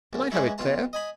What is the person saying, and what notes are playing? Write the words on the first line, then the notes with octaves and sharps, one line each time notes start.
Can I have it, Claire?
A#1 F#2
E3 G#3 C#4 E4
B1 F4 A5
D#5 G#5 B5